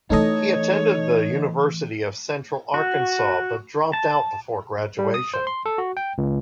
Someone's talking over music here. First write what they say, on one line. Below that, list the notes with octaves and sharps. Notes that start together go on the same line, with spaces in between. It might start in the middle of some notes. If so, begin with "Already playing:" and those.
He attended the University of Central Arkansas but dropped out before graduation.
E3 A3 D#4 A4 C#5 D#5
F#4
A5
G3
D#6
C5
C6
A4
F#4
G5
C#2